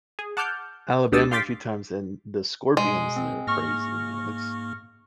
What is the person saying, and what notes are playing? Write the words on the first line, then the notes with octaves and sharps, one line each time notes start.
Alabama a few times and the scorpions, there crazy, man, it's
G#4
F#5 A5 D6 F6 G6
D2 D4 G4 D#6 E6 A6
F5 G5 C6 D6 A6 B6
B2 G#3
C4
G#2 A#3 C#6 F6 A#6